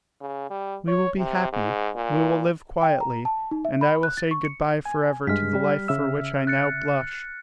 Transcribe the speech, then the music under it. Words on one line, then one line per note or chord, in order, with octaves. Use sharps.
We will be happy; we will live quietly, and I will say good-bye forever to the life for which I now blush.
C#3
G3
C#5
C3
G#2
A#2
G5
A#5
A5
D#4
E5
B5
F#6
A6
C#6
C#7
G#5
G2 G#3 F6 B6
G3
C#3 E5 E6
F#6 A6 C#7